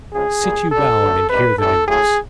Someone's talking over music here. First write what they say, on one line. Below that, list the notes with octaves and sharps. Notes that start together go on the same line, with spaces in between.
Sit you down and hear the news.
C#3 F3 G#3 G#4
A#2 G3
D3 G3 A4
D3 F#3 A3
C3 D#3 G3 B4
A2 E3 G3 A4
A2 F#3 A3 G#4